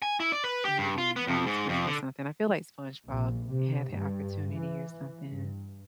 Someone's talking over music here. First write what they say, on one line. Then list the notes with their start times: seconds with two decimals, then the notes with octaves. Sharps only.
moving on the screen or something; I feel like SpongeBob had ha opportunity or something.
0.02 G#5
0.20 E4
0.32 D5
0.44 B4
0.65 G4
0.78 G2
0.98 F4
1.16 B3
1.27 F2
1.46 G#2
1.69 F2
1.87 D3
3.07 A#1
3.50 C3
3.92 G2
4.55 E3
5.28 G2